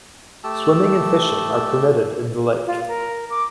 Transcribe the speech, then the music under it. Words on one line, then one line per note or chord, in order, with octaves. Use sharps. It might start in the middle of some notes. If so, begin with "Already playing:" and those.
Swimming and fishing are permitted in the lake.
A3 G4 A5 E6
F4
A#4
D6